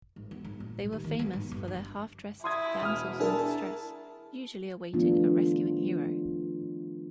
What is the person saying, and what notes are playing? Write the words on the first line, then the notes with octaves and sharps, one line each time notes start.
They were famous for their half-dressed damsels in distress, usually awaiting a rescuing hero.
G#1
B3
G#1
A#2
C2
D#2
D#3
B3
G#1
G1
D4
E4 C6 D#6 G#6
E1 D#6 F6
D4 E4 G#4 A#4 A5
D#3 F3 A3 B3 D4 F4